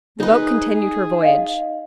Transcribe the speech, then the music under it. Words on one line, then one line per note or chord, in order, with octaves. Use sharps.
The boat continued her voyage.
D#4 G#4 B4
D#5 F5